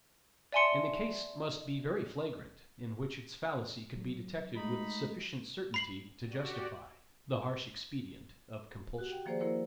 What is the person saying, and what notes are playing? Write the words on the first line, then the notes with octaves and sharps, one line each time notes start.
And the case must be very flagrant in which its fallacy could be detected with sufficient certainty to justify the harsh expedient of compulsion.
D5 E5 G#5 A5 C6 C#7
F#3
G#3 A3 D#4 B5
B5 C7 F#7
F#4 G4 D5
F#4 G4 F#5
G5
D#3 F3 A#3 G#4 C5 D5
A#3 E4 A#4 C5